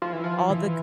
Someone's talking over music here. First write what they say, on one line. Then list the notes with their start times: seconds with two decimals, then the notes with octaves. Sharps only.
all the g
0.02 F3
0.13 E3
0.24 F3
0.50 E3